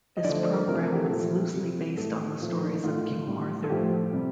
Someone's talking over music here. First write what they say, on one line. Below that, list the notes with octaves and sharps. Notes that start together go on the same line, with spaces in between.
This programme was loosely based on the stories of King Arthur.
D#5
D3 F3 A3 D5
C5
A#4
C3 F3 A3 A#4
A4
G4
A4
A#2 F3 A3
C3 G3
A2 A3 A4
A#2 F3 A3
D4
D#4
A2 A3 F4
A2 G3
A4
A2 F3 A3 G4
C3 G3